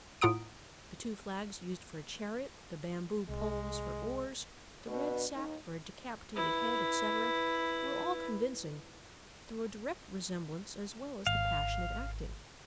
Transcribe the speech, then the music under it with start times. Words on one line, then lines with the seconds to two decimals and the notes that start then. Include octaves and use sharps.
The two flags used for a chariot, the bamboo poles for oars, the red sack for a decapitated head, etc., were all convincing, through a direct resemblance as well as the passionate acting.
0.21 A2 F4 F#5 A#5 D#6 D7
3.29 C2 G#3
4.87 B2 D4 B4
5.34 D#2 D#4 C#5
6.35 E4 B4
11.27 G#1 F5